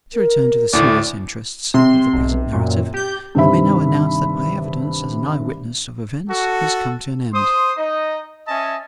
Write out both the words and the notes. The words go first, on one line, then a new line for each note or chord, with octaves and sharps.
To return to the serious interests of the present narrative, I may now announce that my evidence as an eye-witness of events has come to an end.
A#4
D2 A2 E4 D5
C3 C6
B1
F#2 A#2
G4 G6
G2 C3 D#3 C5 E5 B5
F#4 A4
C5 C6 D#6
D#4 D#5
C#4 D#5 E5 G#5 A5